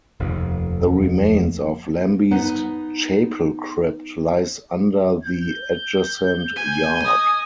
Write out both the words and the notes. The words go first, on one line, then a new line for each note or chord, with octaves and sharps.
The remains of 'Lambe's Chapel Crypt', lies under the adjacent yard.
F1 D#2
B3 D#4 B4 F#5
G6
G#5
D#5 D#6